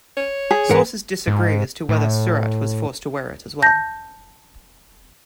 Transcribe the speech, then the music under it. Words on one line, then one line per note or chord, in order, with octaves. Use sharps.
Sources disagree as to whether Surratt was forced to wear it as well.
C#5
G#4
G#2 E3 A#4 F#5
G#2
A2
A5 G6 A#6